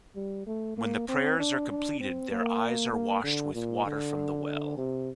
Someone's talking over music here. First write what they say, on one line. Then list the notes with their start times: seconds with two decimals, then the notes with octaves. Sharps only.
When the prayers are completed their eyes are washed with water from the well.
0.16 G3
0.47 A3
0.78 A#3
1.09 C4
1.39 D4
1.70 D4
2.01 C4
2.31 A#3
2.93 A#3
3.23 D3
3.55 A#2
3.85 D3
4.78 C3